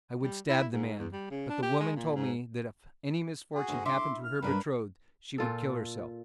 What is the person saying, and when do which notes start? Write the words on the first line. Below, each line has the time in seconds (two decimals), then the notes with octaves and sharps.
"I would stab the man, but the woman told me that if any misfortune happened to her betrothed, she would kill herself."
0.22 G3
0.49 E4
0.72 G#2
0.99 E2
1.12 G3
1.30 C#3
1.49 D4
1.62 G4
1.79 G#3
1.96 A#2
2.15 G#2
3.55 F#4 G#4
3.68 D2 D#3
3.86 E4 C6 D6
4.24 F6
4.42 G2 D4 A#4 B4
5.38 A#2 F4 A4